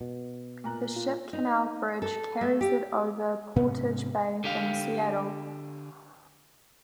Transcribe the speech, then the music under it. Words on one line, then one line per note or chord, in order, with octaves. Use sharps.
The Ship Canal Bridge carries it over Portage Bay in Seattle.
B2
A#2 A#5 F#6
F4
D#4
A4
A3
G4
G#2 C3 B3 C#4
D3 G4 F5